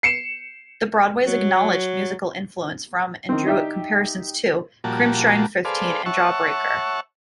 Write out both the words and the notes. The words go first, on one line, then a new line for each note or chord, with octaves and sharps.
The Broadways acknowledged musical influence from and drew comparisons to Crimpshrine, Fifteen and Jawbreaker.
C7 C#7 E7
F#3
D#3 C4
D#4 G4 D5 E5
A#2 F3 G3 A#3 F#4 A5
G#4 A4 B4 C5 D5 F5
C#5 E5 F#5 A5 C#6